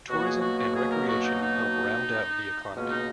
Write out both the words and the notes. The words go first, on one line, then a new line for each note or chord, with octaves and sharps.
Tourism and recreation help round out the economy.
B2 F#3 A#3 F#4
G#4
F#4
F#4
G#4
A#4
F#4
D#4
D#4
C#2 B2 A#3 C#4
D#4